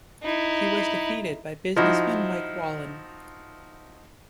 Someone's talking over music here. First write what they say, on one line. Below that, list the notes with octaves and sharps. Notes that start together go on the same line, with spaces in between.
He was defeated by businessman Mike Whalen.
D#4 E4
F3 D#4 E4 F#4